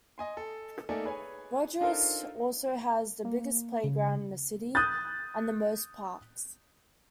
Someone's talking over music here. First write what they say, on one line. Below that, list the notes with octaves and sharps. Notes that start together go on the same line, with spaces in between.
Rogerius also has the biggest playground in the city and the most parks.
D#5 G#5 C6
A4
A3 A#3 D#4 A4 D5 G#5
G#4 B4 C#5 G#5
D4 D#4 F4 A4 A#4 C5
A#3
C#3
D#6 F#6 G6 A6